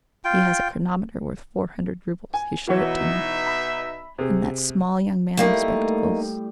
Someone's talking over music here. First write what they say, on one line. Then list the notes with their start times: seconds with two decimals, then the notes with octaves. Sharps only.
"He has a chronometer worth four hundred roubles; he showed it to me." And that small young man in spectacles....
0.25 F4 G5
2.34 G#5
2.68 B2 E3 D#4 F#4 C#5 E5
3.47 B5
4.18 C3 G#4
5.37 A2 G3 A3 A#3 D#4 G4